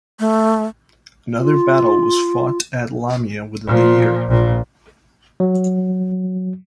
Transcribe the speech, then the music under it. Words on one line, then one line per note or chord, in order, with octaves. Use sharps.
Another battle was fought at Lamia within the year.
A3
F4
A#2 F3
A#1 A#2
F#3